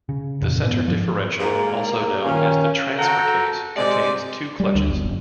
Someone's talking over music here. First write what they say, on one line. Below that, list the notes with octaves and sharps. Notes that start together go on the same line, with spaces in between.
The centre differential, also known as the transfer case, contains two clutches.
C#3
G1 F2 A#2 E3
G#2 B3
G#2 F3
G#2 A#3
A#2 D#3 C#4 F5
F#4 A4 F#5 G5 A#5
C3 G#3 G4 D5
G3
D2
G1
F#1